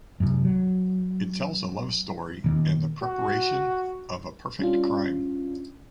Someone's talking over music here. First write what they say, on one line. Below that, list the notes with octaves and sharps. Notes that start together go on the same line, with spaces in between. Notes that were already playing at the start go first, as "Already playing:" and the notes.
It tells a love story and the preparation of a perfect crime.
C2 F#2
F#3
D#1 D#2
F#4
G3 C#4 D4 F4